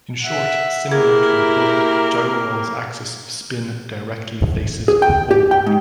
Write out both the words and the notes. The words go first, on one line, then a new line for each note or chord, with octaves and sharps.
In short, similar to a bullet, gyroball's axis of spin directly faces forward.
E5 F#5
A#3 E4 G4 G#4 A#4
G#4
G5
G4
G5
G#2